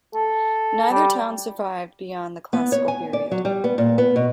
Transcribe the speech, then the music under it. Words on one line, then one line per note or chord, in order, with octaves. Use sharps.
Neither town survived beyond the classical period.
A4
G3
B3
C#5
G#5
D5
F#3
G3
B3
A#2
B3
B2